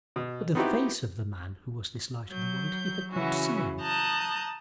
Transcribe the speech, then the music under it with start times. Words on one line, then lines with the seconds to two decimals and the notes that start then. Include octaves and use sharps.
But the face of the man who was this light of the world he had not seen.
0.16 B2
0.55 B3 C4 D#4 E4 F#4 G4
2.28 F#3 G6
3.12 C#3 E3 F#3 C#4 F#4
3.80 A5 A#5 D#6 F#6 G6